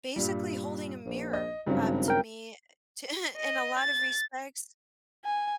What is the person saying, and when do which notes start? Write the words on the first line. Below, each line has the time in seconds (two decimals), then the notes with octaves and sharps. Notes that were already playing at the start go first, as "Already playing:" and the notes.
basically holding a mirror up to me, uh, t in a lot of respects
0.16 G2 A#2 G3
1.06 A#1
1.33 D#5
1.67 G#1 G2 C#3 F#3
2.08 A#4 G5
3.37 D#5
3.79 A6
5.25 G#5